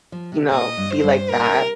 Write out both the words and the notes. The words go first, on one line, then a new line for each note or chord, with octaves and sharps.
you know, be like that,
F3
C3
A#2 D#5
G2
C5
G2
A#2 A#4
C3